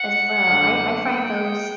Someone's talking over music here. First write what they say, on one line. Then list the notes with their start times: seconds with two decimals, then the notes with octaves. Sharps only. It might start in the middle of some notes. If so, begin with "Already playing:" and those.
As well, I I find those
Already playing: F#5
0.46 F#2 D3
1.05 G5